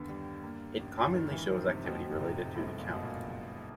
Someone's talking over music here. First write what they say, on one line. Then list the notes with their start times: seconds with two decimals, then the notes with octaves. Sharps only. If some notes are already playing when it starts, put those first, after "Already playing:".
It commonly shows activity related to an account.
Already playing: D#2 D3 B3
0.09 G3
0.43 A#3
0.79 A1
1.14 A1 D#3
1.31 E3
1.50 D#3 F3
1.68 C3
1.85 F2 B2
2.11 G#2
2.20 A2 C3
2.56 G1 A2
2.79 A#2
2.91 G1 B2
3.03 A#2
3.27 F#1